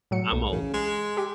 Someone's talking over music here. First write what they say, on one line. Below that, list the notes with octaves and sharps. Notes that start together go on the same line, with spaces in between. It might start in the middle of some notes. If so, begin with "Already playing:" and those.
I'm old.
A2 F#3 C#7
B1 A3
A1 C#3
G#3
G4